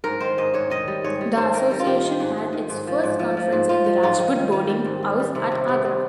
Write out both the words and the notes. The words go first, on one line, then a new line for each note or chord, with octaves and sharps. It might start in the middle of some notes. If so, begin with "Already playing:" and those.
The association had its first conference in the Rajput Boarding House at Agra.
G#2 A#4
D#3 C5
G#2 D#5
G#2 C#5
D#3 D#5
G3
G#2 C#5
G3
G#2 C5
D#3 A#4
G3 A#4
F4
D#3 G4
D#3
G#2
G#2
D#3
G#2
F3
G#2
F3
F3
G#2
F3 F4
F3
G#2 F4
D#3
D#3
D#3
G3
G#2
G#2
G3
C3
C3
C3
C3